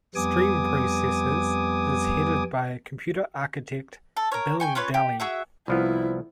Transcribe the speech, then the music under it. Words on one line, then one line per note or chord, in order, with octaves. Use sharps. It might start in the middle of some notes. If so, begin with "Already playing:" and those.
Stream Processors is headed by computer architect Bill Dally.
F2 G3 B3 G#5 D6 D#6
A4
A#4 C#5
G5 G#5 C#6
C#4 F4 B4 C#5
G4
F#4 G#4 E5
C2 F3 B3 E4